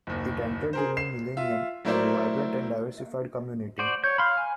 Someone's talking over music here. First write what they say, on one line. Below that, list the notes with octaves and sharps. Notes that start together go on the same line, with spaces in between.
It entered the new millennium as a vibrant and diversified community.
F#1 D#2
G#4 A#4 C5
C7 E7
F4 E5
F#3 A3 E4 A#4 C5 D5
F#4 C5 D5
C#5 G6
F5 B5 C6
G#5